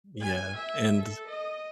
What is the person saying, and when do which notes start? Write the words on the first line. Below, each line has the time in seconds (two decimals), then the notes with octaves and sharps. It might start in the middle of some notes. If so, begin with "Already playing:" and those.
Yeah, and
0.22 G#5
0.57 E5
0.98 A4
1.28 D#5